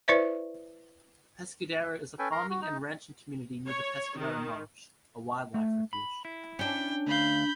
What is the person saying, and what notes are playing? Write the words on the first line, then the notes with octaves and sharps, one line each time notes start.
Pescadero is a farming and ranching community near the Pescadero Marsh, a wildlife refuge.
E4 B4 C5 D5 E5
C#4 A4 B4 G5 G#5
A#4 A#5 C6
F#4
D#4
C#5
D#3
A3
B5
E4
C#4 D4 G5
D2 F5 B5 G6